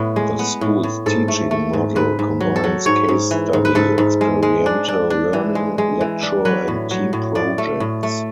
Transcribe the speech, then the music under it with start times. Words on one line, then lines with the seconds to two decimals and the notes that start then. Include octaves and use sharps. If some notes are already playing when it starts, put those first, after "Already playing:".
The school's teaching model combines case study, experiential learning, lecture and team projects.
Already playing: A2 B3
0.16 G#3
0.39 B3
0.61 A2
0.83 A2
1.06 G#2 A4
1.28 A3
1.51 A3
1.73 G#2
1.96 G#2 B4
2.19 G#2
2.40 F#3
2.56 A4
2.64 F#3
2.86 G#2 C#5
3.08 G#2
3.31 E3
3.53 G#2
3.65 B4
3.75 G#2 A4
3.98 G#2
4.21 G#3
4.43 G#3
4.66 D4
4.88 D4
5.10 D4
5.33 E3
5.55 G#3
5.78 G#3
6.01 E3
6.23 D4
6.45 F#3 B4
6.68 A2
6.91 F#3
7.13 A2
7.35 A2 D5
7.58 A3
7.80 A2
8.03 A3